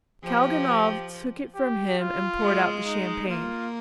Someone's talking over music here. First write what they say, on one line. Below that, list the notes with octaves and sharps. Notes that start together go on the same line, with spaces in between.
Kalganov took it from him and poured out the champagne.
F3 G4
G4
G4
F4
G#3
D#4
A#3 F4